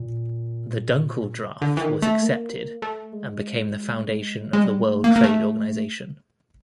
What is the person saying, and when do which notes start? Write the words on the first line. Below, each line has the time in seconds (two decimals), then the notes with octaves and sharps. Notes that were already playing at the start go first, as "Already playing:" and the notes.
The Dunkel Draft was accepted and became the foundation of the World Trade Organisation.
Already playing: A#2
1.62 D3
1.77 E3
1.82 D#3
2.02 A3
2.22 A#3
2.82 A3
3.13 G#3
4.53 G#3
4.64 G3
4.83 A3
5.04 A#3
5.16 A#3
5.24 A3